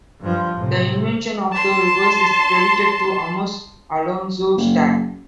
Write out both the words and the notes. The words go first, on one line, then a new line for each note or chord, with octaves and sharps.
The invention of the reverse is credited to Amos Alonzo Stagg.
G2 F3
A2 C3
A5 C6
F#1